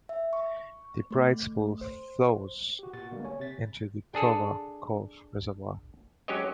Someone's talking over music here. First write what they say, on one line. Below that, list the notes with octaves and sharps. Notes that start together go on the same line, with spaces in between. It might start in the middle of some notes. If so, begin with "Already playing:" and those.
The Bride's Pool flows into the Plover Cove Reservoir.
E5
C#6
A3
C5
F#4 G4
A#2 F#4 A6
D3 G3 G#3 A#3 B3
C#5 G#5
C3 A6 B6
D4 G#4 A4
F#3 G#3 C#4 G4 C#5 D#5